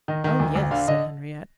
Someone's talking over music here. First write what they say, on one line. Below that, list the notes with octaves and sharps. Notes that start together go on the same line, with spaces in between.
"Oh yes," said Henriette.
D#3 D#5
D#3
D2
D2
D3 F5
D3 D#5